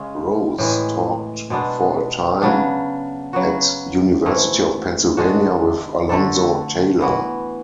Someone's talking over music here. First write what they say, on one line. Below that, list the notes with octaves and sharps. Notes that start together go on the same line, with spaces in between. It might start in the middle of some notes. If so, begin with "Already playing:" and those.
Rose taught for a time at University of Pennsylvania with Alonzo Taylor.
Already playing: C#3 G#3 C#4
A2 E3 G#3
B2 G#3 B3 D4
C#3 F#3 B3 D4
C#3 F#3 B3 F#4
G#2 E3 A3
G#3 D4 F#4
D3 A3 D4 A4
E3 B3 F#4